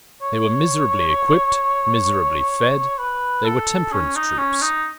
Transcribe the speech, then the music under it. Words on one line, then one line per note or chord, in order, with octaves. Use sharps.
They were miserably equipped, miserably fed. They were temperance troops.
C#5
B4
A4
C#4
D#4
C#4
D#4